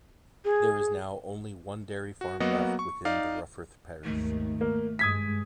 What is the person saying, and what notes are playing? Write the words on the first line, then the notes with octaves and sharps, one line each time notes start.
There is now only one dairy farm left within the Rufforth parish.
G#4
F#4
F#3 A#3 B3 F#4 D#5 F#5
C#6
D#4 D5 F5
G#1 D#2 D#3 A3
A#3
G2 G#3 D#6 G#6 B6